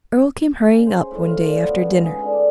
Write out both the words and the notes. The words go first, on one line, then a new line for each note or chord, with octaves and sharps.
Earle came hurrying up one day after dinner.
C#3
C5
A2
F4
D4
B3
C#3
G#2
G#4
D3
D4